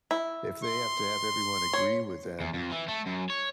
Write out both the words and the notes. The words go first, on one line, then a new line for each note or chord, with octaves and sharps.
If they have to have everyone agree with them
E4
C6
C#5
E2
F2
E3
A3
F#2
C#5